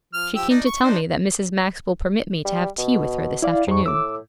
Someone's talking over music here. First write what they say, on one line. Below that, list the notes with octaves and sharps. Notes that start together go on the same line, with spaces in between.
She came to tell me that Mrs. Max will permit me to have tea with her this afternoon.'
F3 F6
F3 G4 E6
D4 D#4 D5
C#6
D4 D#4 C5
G3
B2
E4 D5 F5
F2 G#2 C#6
A2 D6 E6